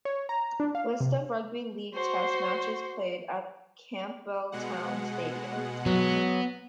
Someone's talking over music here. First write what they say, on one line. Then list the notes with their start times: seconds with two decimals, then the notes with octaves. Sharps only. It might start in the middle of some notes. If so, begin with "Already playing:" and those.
List of rugby league test matches played at Campbelltown Stadium.
0.05 C#5
0.29 A#5
0.60 D4
0.75 F5
1.00 C3
1.94 F#4 C5
4.52 B2 G#3 F#5
5.86 F#3 B3